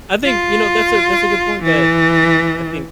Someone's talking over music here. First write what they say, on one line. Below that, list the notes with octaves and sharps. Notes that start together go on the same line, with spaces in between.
I think, you know, that's a that's a good point that m I think
F4
E3